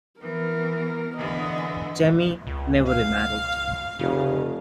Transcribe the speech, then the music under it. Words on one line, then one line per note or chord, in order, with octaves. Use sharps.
Jemy never remarried.
E3 B3 A#4
D3 E3 B3 D#5
C#2
F5
F1 C#3